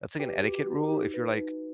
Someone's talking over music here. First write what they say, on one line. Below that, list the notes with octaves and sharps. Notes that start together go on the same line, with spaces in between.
that's, like, an etiquette rule, if you're, like
G4 B4
F#4
F#4
D#4
B4
D#4